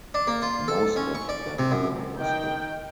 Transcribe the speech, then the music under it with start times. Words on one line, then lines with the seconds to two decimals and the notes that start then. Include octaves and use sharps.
Most of them were Muslim.
0.14 D4
0.27 A#3
0.42 F4
0.68 A4
0.96 C#4
1.15 C#6
1.29 D5
1.59 C3
1.71 F#2
2.21 D#3 G5